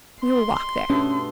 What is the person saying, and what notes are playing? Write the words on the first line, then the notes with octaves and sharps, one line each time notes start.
"We will walk there."
C6
G2 B2 A3 C#4